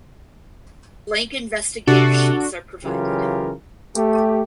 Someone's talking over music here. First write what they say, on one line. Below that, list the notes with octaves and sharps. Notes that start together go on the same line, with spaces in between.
Blank Investigator sheets are provided.
C3 D4 F#4 A4
C#3 E3 F#3 F4 G4 A#4
A3 G4